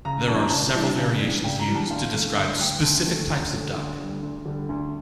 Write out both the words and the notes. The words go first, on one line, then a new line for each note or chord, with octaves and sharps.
There are several variations used to describe specific types of duck.
C#3 A#5
E3 G3 D4 A5
A#5
C#3 A5
E3 G3 D4
C#3
E3 G3 D4
C#3 G5
A#5
E3 G3 D4
A5
D2 F5
D3 A3 F5
D2 E5
D3 A3 G5
D2 A5
D3 A3
D2 A#5
D3 A3
D2
D3 G3
D2
D3 G3
D2